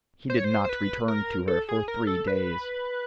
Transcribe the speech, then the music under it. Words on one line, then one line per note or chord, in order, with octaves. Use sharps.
He did not return to her for three days.
C5
C#5
C5
C5
B4
A#4
A4
G#4
A#4
A4
B4